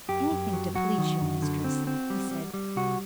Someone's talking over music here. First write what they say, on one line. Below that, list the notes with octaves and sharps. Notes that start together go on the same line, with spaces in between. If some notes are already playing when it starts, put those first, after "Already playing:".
"Anything to please you, Mistress," he said.
F#2 G4
F#2
F#3
F#3 F#4
D#3
F#2
D3
C4
C4
G3
G3
G3
C2 F#4